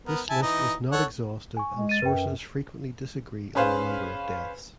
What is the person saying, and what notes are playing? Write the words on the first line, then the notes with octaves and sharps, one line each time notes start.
This list is not exhaustive and sources frequently disagree on the number of deaths.
B3 A#4
E4 G#5 A5
E3 D#4 D#5
A4 C#5 F#5
G#5 C#6
G#3
A6 D#7
F#2 B4 G5
C#4 G#4 B4 C5 F5